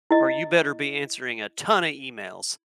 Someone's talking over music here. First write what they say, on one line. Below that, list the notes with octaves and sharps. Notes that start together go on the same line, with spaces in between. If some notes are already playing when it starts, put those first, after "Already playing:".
"Or you better be answering a ton of emails.
E4 D#5